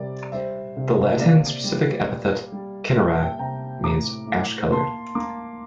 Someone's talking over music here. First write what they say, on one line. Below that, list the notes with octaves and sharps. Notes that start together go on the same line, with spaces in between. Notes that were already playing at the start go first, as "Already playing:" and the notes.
The Latin specific epithet "cinerea" means "ash coloured".
Already playing: C3 G3 A#4 D5
G3 C5 E5
C3
A#3 D5 F5
G3
G3
G3
A#3 G5
A5
E5 G5
C3 G5 A#5
A2 A#5 D6
A2
A#3 A5 C6
A#3 A#5 D6